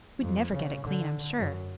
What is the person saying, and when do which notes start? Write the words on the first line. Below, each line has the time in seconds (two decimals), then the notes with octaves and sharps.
"We'd never get it clean, I'm sure."
0.19 F2
0.53 C#3
0.85 D3
1.37 F#2